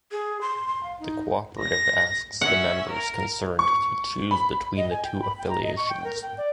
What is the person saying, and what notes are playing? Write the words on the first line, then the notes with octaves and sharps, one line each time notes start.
The cooperative asks the members concerned to choose between the two affiliations.
G#4
C6
C6
F5
D#4
A#6
C#4 E5 F#5
A#4
C#6
B5
D#5
G#5
G5
B5
G5
A#5
D#5
C#6
G5
A#4
G5
D5